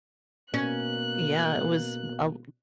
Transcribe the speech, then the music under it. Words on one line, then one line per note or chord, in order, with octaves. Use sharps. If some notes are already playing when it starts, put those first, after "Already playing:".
Yeah, it was a l
B2 A#3 C#4 F#6